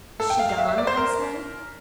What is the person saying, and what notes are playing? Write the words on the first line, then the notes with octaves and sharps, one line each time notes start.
'Is she gone?' I said.
A4
G5
F5
F5
E5
E5
D5
C5
A#4